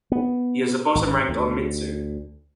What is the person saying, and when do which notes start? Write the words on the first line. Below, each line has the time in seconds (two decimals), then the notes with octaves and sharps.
He is a bottom-ranked onmitsu.
0.12 B3
0.95 G#1
1.29 D2